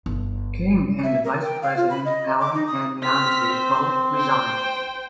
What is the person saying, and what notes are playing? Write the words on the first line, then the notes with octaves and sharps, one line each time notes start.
King and Vice-president Allen N. Yancy both resigned.
G1
E5
A#4
G5
F5
F4
B5
D#5
D6
D#4
D#6
C4 F6 B6
C5
C5 G5